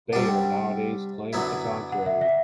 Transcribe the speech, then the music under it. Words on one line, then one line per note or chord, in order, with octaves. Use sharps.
Bayer nowadays claims the contrary.
C3 G3 D4 F#5
G5
F#5
F#2 D3 F#3 B3 E4
F#5
E5
E5